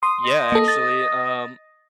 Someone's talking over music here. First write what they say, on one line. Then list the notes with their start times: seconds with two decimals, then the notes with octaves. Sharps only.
Yeah, actually, um,
0.03 C6 D#6
0.25 D#5
0.52 A#3 A4
0.68 A6